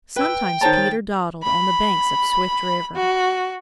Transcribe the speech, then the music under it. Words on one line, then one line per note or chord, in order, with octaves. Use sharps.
Sometimes Peter dawdled on the banks of Swift River.
B4 G5 E6
D#3 C5 C#5 A5 A#5 A6
B5
F#4